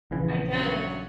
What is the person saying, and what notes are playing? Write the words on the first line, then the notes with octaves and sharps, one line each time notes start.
I get it.
A#1 C#3 E3
G2 F#3 C#4